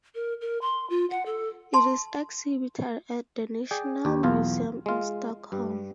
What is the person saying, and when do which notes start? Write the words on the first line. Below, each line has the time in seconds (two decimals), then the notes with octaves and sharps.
It is exhibited at the Nationalmuseum in Stockholm.
0.15 A#4
0.41 A#4
0.62 C6
0.90 F4
1.10 F#5
1.26 A4
1.74 A5 C6
3.71 G#4 D5 G5
4.05 D#2 G4
4.23 B1 E2 F4
4.86 G#3 F4
5.52 G2 G3